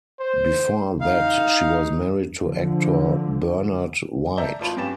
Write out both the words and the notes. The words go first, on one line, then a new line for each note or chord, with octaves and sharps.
Before that, she was married to actor Bernard White.
C5
D#4 F5
D3 F3
D5 E5 A5 A#5 G6
G#1 F4 C#5 A5 B5 D7
G2 C#4 G4 A6 E7